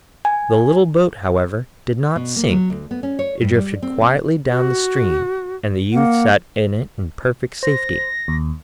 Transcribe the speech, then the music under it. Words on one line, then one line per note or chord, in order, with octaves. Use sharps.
The little boat, however, did not sink, it drifted quietly down the stream, and the youth sat in it in perfect safety.
G#5
B2
A#3
F#3
D2
B3
C#4
C#5
G2
G3
C4
C4
F#4
A#3 F#5
C5 A#6
D#2